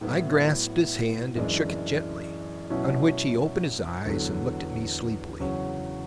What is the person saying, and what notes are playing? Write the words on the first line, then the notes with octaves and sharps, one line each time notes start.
I grasped his hand and shook it gently, on which he opened his eyes and looked at me sleepily.
A2 F#3 B3 E4
F#2 E3 G#3 D4
B2 F#3 C#4 E4
E2 D3 F#3 B3
E2 C#3 F#3 C#4 F#4